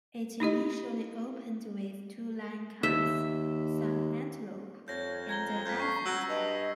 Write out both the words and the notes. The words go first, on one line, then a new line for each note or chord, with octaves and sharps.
It initially opened with two lion cubs, some antelope, and an elephant.
D#4 E4 G4 D#5
D#2 E5
F2 C#5 G6 A#6
A#5 G#6 A#6 G7
F2 G6 B6
C#6 C7
F#3 E6
G2 D#5